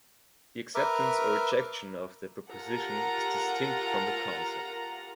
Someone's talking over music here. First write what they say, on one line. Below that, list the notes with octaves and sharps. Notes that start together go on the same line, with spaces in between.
The acceptance or rejection of the proposition is distinct from the concept.
A#4 B4 E5 D6 F6
F4 G4 A4 A#4 F#5 A#5